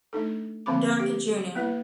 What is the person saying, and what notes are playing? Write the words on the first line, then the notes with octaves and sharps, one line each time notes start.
Durkee Jr.
A3 D4 D#4 A4
D3 F3 A#3 C4 B5 D6
G4
A#3 B3 E4 B4